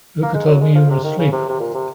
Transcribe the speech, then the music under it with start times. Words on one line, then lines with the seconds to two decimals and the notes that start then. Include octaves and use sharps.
Louka told me you were asleep.
0.22 A#3
0.34 G#3
0.47 F#3
0.61 G#3
0.75 F3
0.90 C3
1.04 D#3
1.18 C#3
1.32 C3
1.49 C3
1.60 A#2
1.74 C3